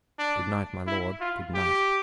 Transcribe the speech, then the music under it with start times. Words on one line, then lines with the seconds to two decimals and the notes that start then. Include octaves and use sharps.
Good night, my lord, good night.
0.19 D4
0.87 E4
1.21 F4
1.55 G4